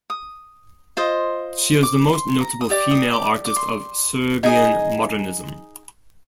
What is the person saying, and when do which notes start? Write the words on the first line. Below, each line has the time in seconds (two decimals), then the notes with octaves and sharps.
She is the most notable female artist of Serbian modernism.
0.10 D#6
0.97 F4 C5 D#5
1.83 D6
2.13 C6
2.41 A#5
2.61 D#6
2.70 G4 D5 D6
2.91 D#6
3.13 D6
3.45 D6
3.56 C6
4.43 D#4 G#4 D#5 G#5